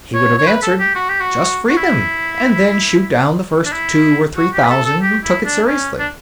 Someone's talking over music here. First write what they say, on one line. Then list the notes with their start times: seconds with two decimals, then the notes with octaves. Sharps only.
He would have answered, Just free them, and then shoot down the first two or three thousand who took it seriously.
0.14 C#5
0.38 C#5
0.47 B4
0.63 A4
0.79 G4
0.95 F#4
1.09 G4
1.21 F#4
1.70 F#4
1.77 E4
3.65 D4
3.72 E4
4.37 F#4
4.54 G4
4.65 B4
4.70 A4
4.85 A4
5.02 G4
5.24 E4
5.45 D4
5.66 C#4
5.99 D4